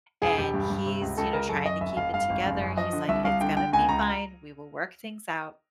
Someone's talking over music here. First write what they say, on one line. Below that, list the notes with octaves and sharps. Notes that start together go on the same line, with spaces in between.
and he's, you know, trying to keep it together. He's like, "It's gonna be fine. We will work things out."
E1 G#4
E1 G4
G2
G2
C3
C#2
C#2 A4
C#3 A#4
F#2 A4
F#2 D#5
F1 E5
F1 F5
G2 F5
G#1
F#1
F#2
F3 D#5
D3
C2 E5
C2 F5
D3 G5
D3 G5
C#2 G#5
C#2 A#5